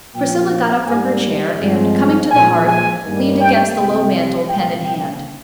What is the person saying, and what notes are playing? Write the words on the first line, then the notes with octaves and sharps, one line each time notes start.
Priscilla got up from her chair, and, coming to the hearth, leaned against the low mantel, pen in hand.
A#2 F3 A#3 G5
G#2 G3 A#3 G#5
G2 F3 G#3 C4
A#2 F3 G#3 G#5
G#5
G2 D#3 G3 A#3
G5
C2 C3 G3 C4 G5
C2 A#2 F3 A#3 G5
G5